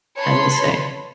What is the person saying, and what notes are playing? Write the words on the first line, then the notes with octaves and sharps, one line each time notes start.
I will say.
B4 C#5 A5 B5 C6